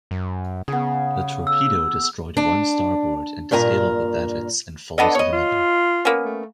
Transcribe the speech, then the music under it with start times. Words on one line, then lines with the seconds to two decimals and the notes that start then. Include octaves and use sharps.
The torpedo destroyed one starboard and disabled the davits and falls of another.
0.11 F#2
0.68 C#3 B3 G#4
1.47 E6
2.37 D4
3.51 G2 A#2 A#4 G#5 A#5
4.98 D3 B3 D#5
5.15 B3 C#5 D#5
5.33 F4
6.05 A#3 B3 C#4
6.25 A3